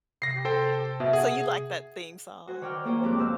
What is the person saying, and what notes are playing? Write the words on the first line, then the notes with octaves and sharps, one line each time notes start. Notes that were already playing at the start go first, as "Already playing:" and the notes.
Uh-huh. So, you like that theme song?
C3 A#6 C7
A4 C5 G5
B2 E5
G#4 F#5
F#4 C5 G#5
D#3 C#5 D5 G5 F6
A#3 F4 G#4 C5 C#5 G5
F2 G#2 C4 G4 D6 F#6
B2 G4 F5 E6 G6